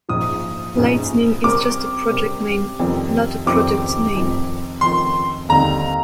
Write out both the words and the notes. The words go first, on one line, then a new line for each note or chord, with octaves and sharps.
Lightning is just a project name, not a product name.
A#1 G#2 F3 D#6
A#1 G#2 F3
C3 G3 C4 G4 A#4 D6
C3 G3 C4 G4 A#4
F1 F2 D#3 G3 C4
F1 F2 D#3 G3 C4 D6
F1 F2 D#3
F1 F2 D#3 C6
D#2 D3 G3 C4 D#4 A#5